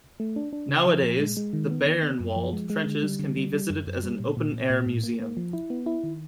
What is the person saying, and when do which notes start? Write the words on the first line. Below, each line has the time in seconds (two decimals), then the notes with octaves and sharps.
Nowadays, the "Bayernwald" trenches can be visited as an open-air museum.
0.20 A3
0.36 D4
0.53 D4
0.69 C#3
0.86 F3
1.03 A#2
1.19 G#3
1.37 G#3
1.53 D#3
1.70 B3
1.86 D#3
2.02 B3
2.20 F#2
2.36 F3
2.53 G#3
2.70 G#3
2.87 D3
3.03 G3
3.19 D3
3.36 G3
3.53 G3
3.70 F#2
3.87 F#2
4.03 G3
4.20 A#2
4.37 A#2
4.54 A#2
4.70 A#2
4.86 A2
5.04 A#3
5.20 A#3
5.37 F3
5.53 E4
5.70 B3
5.86 E4
6.04 D#3